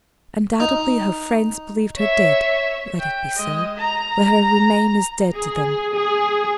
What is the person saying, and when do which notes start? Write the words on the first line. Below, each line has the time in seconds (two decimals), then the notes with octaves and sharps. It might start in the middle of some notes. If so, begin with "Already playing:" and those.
Undoubtedly her friends believed her dead--let it be so--let her remain as dead to them.
0.60 D#4
1.97 C#5 E5
2.99 G5
3.36 G#3 D#5
3.77 A#5
5.36 G#4
5.96 G#4